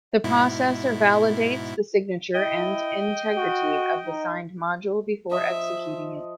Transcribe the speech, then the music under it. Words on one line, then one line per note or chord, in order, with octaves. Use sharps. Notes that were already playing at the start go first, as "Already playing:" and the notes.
The processor validates the signature and integrity of the signed module before executing it.
G#2 B2 E4
E4 D#5 G5
F#4
D#4
F3 D#5 E5